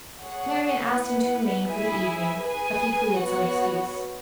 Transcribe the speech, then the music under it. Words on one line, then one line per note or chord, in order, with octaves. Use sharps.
Marian asked him to remain for the evening, but he pleaded some excuse.
G#4 C#5 F#5
B3 E4 B4 F#5
E4 G#4 E5 G#5
G#4 B4 G#5
B3 F#4 C#5 F#5